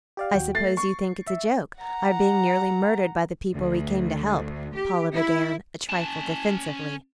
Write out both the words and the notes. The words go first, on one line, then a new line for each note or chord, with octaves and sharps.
"I suppose you think it's a joke, our being nearly murdered by the people we came to help," Paula began, a trifle defensively.
G4 D5 F5
D#2 F#4 G5
A3 A6 C7
C#6 C7
E5
F#5 A#5
D2
G4
E4
C#4 A5